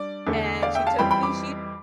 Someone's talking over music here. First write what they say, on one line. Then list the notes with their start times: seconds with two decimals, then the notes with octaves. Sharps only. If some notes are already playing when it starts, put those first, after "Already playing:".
and she took me She b
Already playing: G3 D4 D5
0.27 E2 D3 A3
0.62 D5 F5
0.75 E5 G5
0.87 F5 A5
0.99 F2 E3 G3 C4 G5 B5
1.11 G5 B5
1.23 B5 D6